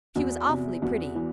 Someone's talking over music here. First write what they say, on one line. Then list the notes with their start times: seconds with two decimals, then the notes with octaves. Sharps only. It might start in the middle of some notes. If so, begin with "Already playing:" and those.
She was awfully pretty.
0.15 E2 F#4
0.49 C3
0.82 E2 F#4
1.15 E3